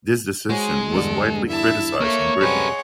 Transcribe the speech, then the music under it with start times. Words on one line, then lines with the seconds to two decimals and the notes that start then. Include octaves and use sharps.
This decision was widely criticized in Britain.
0.49 G#3 F#4 G#4 C5 C#5
0.92 E2 G2 D3 A4
1.48 E4 E5 A5
2.01 A3 A#3 C#5
2.41 F#2 C3 G3 G#3 A4 B4 F#5